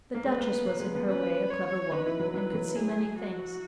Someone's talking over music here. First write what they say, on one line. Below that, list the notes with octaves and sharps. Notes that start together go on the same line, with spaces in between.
The Duchess was in her way a clever woman and could see many things.
A#3
G#3 B4
A#3
B3
A#3
G#3
B3
C#4 B4
C#5
D#4 B4
E4
F#3
F#3 B4
E3
F#3
G#4
F#4